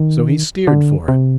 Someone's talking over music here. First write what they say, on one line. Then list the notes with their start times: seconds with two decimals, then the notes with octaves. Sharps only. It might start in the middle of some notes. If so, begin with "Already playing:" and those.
So he steered for it.
Already playing: D#3
0.67 D3
1.08 C3